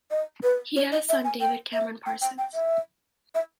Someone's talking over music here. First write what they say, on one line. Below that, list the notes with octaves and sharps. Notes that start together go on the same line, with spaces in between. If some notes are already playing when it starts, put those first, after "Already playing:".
He had a son, David Cameron Parsons.
D#5
B4
C#5
D#5
E5
G#5
G5
E5
G5
G5
G5
E5
E5